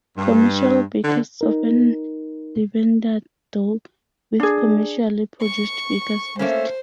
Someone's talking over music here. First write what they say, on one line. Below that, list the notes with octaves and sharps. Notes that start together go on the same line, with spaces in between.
Commercial bakers often leaven their dough with commercially produced baker's yeast.
G2
D3
D#4 A#4
D4 G#4
C#6
A3 A#3 C#4 C5